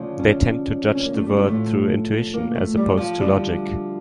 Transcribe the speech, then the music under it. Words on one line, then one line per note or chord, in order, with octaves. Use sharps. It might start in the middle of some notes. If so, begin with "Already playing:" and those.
They tend to judge the world through intuition as opposed to logic.
Already playing: D2 C#3 F3
C#4
C#4
A#3
A3
G3
G3
A2 F3 A3
A#3
A3
G3
F3
D2 D3 F3 G3